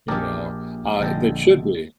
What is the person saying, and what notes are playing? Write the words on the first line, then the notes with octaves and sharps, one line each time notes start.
You know, uh, that should be.
A#1 G4 G#4 A#4 D5 A5
A#1 D3 G#3 G5 A5 A#5